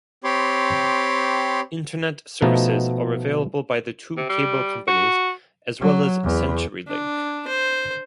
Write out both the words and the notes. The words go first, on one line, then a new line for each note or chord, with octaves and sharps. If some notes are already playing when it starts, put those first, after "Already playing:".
Internet services are available by the two cable companies, as well as Centurylink.
C4 G4 C#5 B5 C6 D6
B2 F3 A3 B3 D#4
C3
G3
F#4
F#3
E2
D4
C5